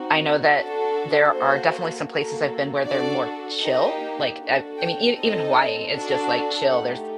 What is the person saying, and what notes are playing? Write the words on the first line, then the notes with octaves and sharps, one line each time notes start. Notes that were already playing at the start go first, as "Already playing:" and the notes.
I know that there are definitely some places I've been where they're more chill, like uh, I mean, even Hawaii, it's just, like, chill, there's
Already playing: C4 D#4 F#4
D4 F#4 A4
A#3 F#4 A4 C5
A#3 F#4 A4
D4 F#4 A4 D5
A#3 D#4 G4 D#5
D4 F#4 A4
G5
C4 D#4 A4 D#5
D4 F#4 A4
A3 D#4 G4 F#5